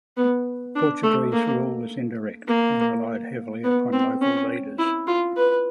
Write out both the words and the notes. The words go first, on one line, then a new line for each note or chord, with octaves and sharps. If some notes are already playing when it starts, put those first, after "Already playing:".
Portuguese rule was indirect and relied heavily upon local leaders.
B3
D4
A3
A#3
A#3
B3
C4
C#4
E4
F4
B4